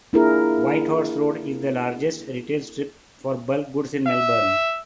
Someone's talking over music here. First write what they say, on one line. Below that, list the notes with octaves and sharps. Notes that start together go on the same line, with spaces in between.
Whitehorse Road is the largest retail strip for bulkgoods in Melbourne.
A#3 D4 E4 F4 G#4 A#4
E5